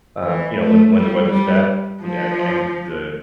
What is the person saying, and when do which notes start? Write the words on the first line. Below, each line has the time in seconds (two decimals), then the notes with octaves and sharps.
um, you know, when when the weather's bad, e every the,
0.23 E3
0.59 A3
0.95 G3
1.29 G3
2.01 F3